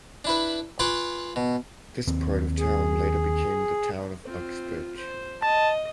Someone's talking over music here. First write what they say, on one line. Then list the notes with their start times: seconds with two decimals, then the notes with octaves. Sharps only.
This part of town later became the town of Uxbridge.
0.25 D4 E4 B4
0.79 F4 B4 F#5 G#5 C#6 D6
1.36 B2
2.07 D#2 C4
2.58 G#4
4.24 C4 F4
4.97 C5
5.43 D#5 A5